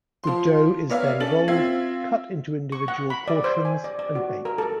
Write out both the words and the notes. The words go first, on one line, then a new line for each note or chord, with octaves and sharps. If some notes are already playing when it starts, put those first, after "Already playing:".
The dough is then rolled, cut into individual portions, and baked.
F3 C6
B3 A#4 C#5 D5 E5 F5
C#4 A4 A6 F#7
C4 F4 E5 G#6 C7
C#6
F#5
B5
D5
C5
G#5
D5
D5
F#4
A#4
A4